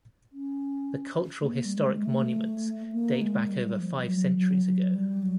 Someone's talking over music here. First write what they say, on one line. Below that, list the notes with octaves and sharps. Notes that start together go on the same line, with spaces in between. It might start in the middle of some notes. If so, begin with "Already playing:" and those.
The cultural-historic monuments date back over five centuries ago.
C#4
A3
A#3
G3
G#3
G#3
A3
A#3
G#3
G3
F3
G3
F#3
F#3
F#3
G3
F#3